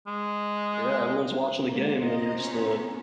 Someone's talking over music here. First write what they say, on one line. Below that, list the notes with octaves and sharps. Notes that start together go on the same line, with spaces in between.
Yeah, everyone's watching the game, and then you're just, uh,
G#3
D3 G#3 A#3
C3 C5 D#5 A#5
B3 C#4